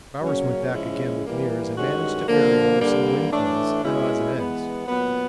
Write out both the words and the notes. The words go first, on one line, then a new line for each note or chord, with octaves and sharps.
Bowers went back again with Meares and managed to ferry over some wind clothes and odds and ends.
C#3 F#3 A#3 C#4
C#3 F3 G#3 C#4 E4
E3 G3 A#3
G2 D#3 G#3 C#4 F#4
D3 F3 A#3
G2 D3 G3 A#3
A2 E3 A3 D4
B2 G#3 C#4 E4
E3 G#3 B3
A#2 F#3 B3